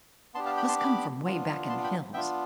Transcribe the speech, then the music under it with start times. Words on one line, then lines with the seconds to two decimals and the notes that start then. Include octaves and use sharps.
"Must come from way back in the hills."
0.34 B3 D4 G4 A5 C6
0.46 F5 A5
0.57 G5 B5
0.68 A5 C6
0.79 B5 D6
1.24 B3 D4 F4
1.69 A5 C6
1.84 G5 B5
2.13 B3 D4 F4 E5 G5